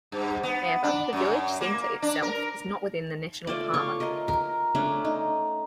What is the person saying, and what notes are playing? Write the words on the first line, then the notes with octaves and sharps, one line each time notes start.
However, the village centre itself is not within the national park.
G2
B3
D4
F#2
A#3
D4
A#4
A3 F4 D5
F4 C#5 C#6
A#4 D#5
A#4
A3 C#4 D4
D#4